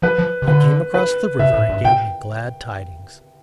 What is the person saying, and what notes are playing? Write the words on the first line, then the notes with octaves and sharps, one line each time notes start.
He came across the river and gave me glad tidings.
F3 B4
F3
C3
D3 B4
B4
C3 E5
A2
G2
B2 G5